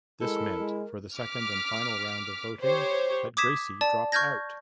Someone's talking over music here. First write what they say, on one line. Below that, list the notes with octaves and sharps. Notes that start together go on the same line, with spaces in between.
This meant for the second and final round of voting that Gracie dropped out.
G#3 E4 A4 A#4
G#3
D6 F6 B6
G4 C5 C#5
D6 D#6 G#6 B6 E7
D5 A5
C#6 F6 G6 G#6 A#6